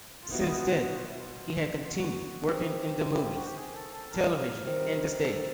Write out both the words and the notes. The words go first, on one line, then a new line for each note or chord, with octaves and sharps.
Since then, he has continued working in the movies, television and the stage.
F4
B2 G3 B3 D#4 E4
F4
F#4
F4
E4
F4
F4
F#4
C3 D#3 G#3 G4
E4
F4
F#4
G4
G#4
A4
A4
A#4
C3 D#3 G3
A4